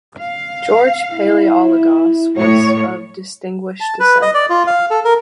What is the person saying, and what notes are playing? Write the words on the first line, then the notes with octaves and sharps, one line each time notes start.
George Palaiologos was of distinguished descent.
F5
E4
A2 C#5
A5
B4
D#5
D5
F4
F5
A4
A#4